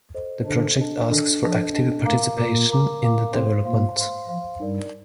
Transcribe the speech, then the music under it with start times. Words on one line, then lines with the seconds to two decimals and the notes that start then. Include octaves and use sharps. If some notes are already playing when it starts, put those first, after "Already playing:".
The project asks for active participation in the development.
0.14 A4 C5 D#5
0.45 D3 D4 A4 C5 D#5
0.78 D4 A4 D#5 A5
1.09 D#3 D4 A4 D#5 A5
1.41 F3 D4 A4 D#5 A5
1.73 D4 A4 D#5 A5
2.05 A2 A3 A#4 F5 A#5 D6
2.36 A#2 A#3 A#4 F5 A#5 D6
2.69 A#4 F5 A#5 D6
3.01 A#4 F5 A#5 D6
3.32 C3 C4 C5 F5 C6
3.65 A#2 A#3 C5 F5 C6
3.97 C5 F5 C6
4.28 F3 C5 F5 C6
4.60 G2 G3 D#4 A#4 D5